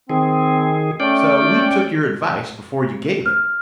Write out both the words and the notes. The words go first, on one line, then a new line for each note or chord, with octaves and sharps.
So we took your advice before you gave it.
D#3 C4 G#4
A3 C#4 D5 G5
F6